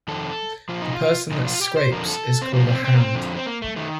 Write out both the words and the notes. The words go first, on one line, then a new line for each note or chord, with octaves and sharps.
The person that scrapes is called a "hand".
F2 D#3 A4
A#2 F3 F4
D#4
F4
A#2 F3 D#4
F4
G4
C5
F2 D3 F3 A#4
A4
C4
A2 F3 A#3
C4
C4
A#3
C4
F2 D3 F3
C4
A#3
A3
D#3 A3